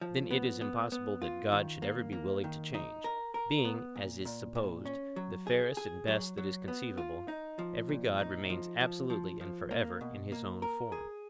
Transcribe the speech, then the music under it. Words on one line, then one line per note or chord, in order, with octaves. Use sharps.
Then it is impossible that God should ever be willing to change; being, as is supposed, the fairest and best that is conceivable, every God remains absolutely and for ever in his own form.
F3
B3
B3
B3
F4
D#3
A#3
A#3
D#3
D#4
A#4
A#4
B3
A#2
A#2
A#2
C#4
F#3
G#4
G#4
F#3
F#3
B3
F4
D#4
F3
A#2
D#4
F3
F3
F3
F3
A#3
B2
A#3
A#4
G#4